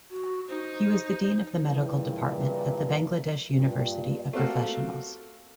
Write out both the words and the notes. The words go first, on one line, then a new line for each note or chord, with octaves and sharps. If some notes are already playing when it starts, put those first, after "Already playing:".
He was the dean of the medical department at the Bangladesh University of Professionals.
F#4
D#4 C5
G2 A#2 C#3 E3
G2 A#2
A3 A#3 C4 F4 F#4 A4